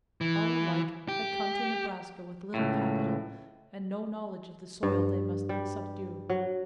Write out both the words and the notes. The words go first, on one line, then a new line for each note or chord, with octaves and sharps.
All alike had come to Nebraska with little capital and no knowledge of the soil they must subdue.
E3
G4
C#2 A2
G2
G3
F#3